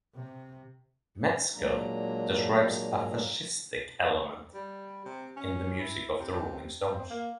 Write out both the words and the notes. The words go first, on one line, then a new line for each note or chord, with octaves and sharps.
Metzger describes "a fascistic element" in the music of the Rolling Stones.
C3
A#2 F#3 G#3 A#3 D4 A#5
G3
C3
C#4
E4
C3
C4
A#3